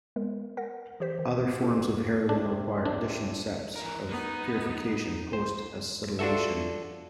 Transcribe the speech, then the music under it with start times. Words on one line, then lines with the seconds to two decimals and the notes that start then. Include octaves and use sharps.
Other forms of heroin require additional steps of purification post acetylation.
0.16 G#3 B3 A#4
0.57 A#4 F#5 A#6
1.00 E3 G4 C5 B6
1.19 D#3
1.61 C4 C#4 D#4 F4 F#4 A4
2.29 C3 D4
2.86 D4
3.76 E3 A#4
4.09 B3 D#4
5.33 C5
6.19 D4 F4 F#4 A4 E5